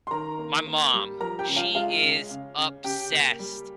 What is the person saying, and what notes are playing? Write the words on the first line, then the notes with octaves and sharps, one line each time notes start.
my mom, she is obsessed
C6
D#3 A#4 A#5
A#3
A#3
G3
F3 A#4 A#5
G4 G5
C#3
F4 F5
G#3 F4 F5
C#3
C#3
C#3
C#3 G4 G5
A#3
G3